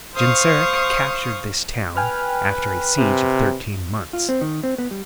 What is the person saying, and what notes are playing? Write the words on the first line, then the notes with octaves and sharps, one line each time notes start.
Genseric captured this town after a siege of thirteen months.
C5 F5 C#6 D#6
B4 G5 G#5 F6
C3
F4
C4
D#3
C4
B3
G3